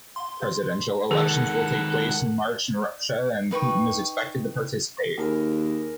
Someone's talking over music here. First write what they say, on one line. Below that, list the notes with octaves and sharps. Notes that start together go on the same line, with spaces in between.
Presidential elections will take place in March in Russia and Putin is expected to participate.
C6
G#2 D#3 G#4 A4 F#5
D#4 B4 G5 C#6
D#2 G#4 A#4 B4